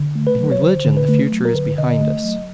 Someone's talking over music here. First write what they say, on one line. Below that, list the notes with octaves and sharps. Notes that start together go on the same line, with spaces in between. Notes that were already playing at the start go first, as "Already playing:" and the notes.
In religion the Future is behind us.
Already playing: D3
A3
B4
F#3
C#5
D3 C5
D3
B4
A3
F#3
A#4
D3 B4
D3 D#5
A3
F#3